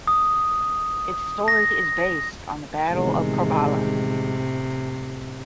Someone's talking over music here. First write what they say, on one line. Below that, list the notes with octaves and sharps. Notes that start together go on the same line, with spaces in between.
Its story is based on the Battle of Karbala.
D#6
A#6
E2 A2 C3 D#3 G#3